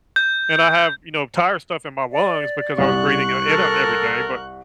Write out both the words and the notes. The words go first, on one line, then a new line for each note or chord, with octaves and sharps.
and I have, you know, tire stuff in my lungs because I was breathing it in, uh, every day, but
G6
D5
C2 C#6 F#6
A4 A#4